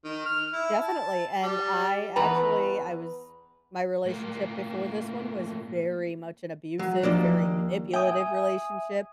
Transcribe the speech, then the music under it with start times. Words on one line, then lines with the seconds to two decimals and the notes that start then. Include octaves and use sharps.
definitely, and I, actually I was my relationship before this one was very much an abusive, very manipulative relationship,
0.04 D#3
0.25 F6
0.53 E4
0.81 A5
1.43 G3
2.16 E2 B4 A#5
4.06 A2 A#3
6.79 F#3
7.03 D#2 F3 A#3 D4
7.93 E5 G5 G#5 D#6